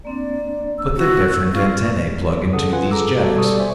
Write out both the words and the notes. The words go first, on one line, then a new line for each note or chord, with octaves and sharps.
Put the different antennae plug into these jacks.
A#3 C4 D4 D5
E6
F#4
F4 C#6
G#1 C#3 A4 F#5 D#6
F4 B4 F#5 G#5
G#4 A4 A#5 D6 E6
G3 F#4 A4 D5
B2 G3 A4 D5 C#6 D#6
C5 E5 G#5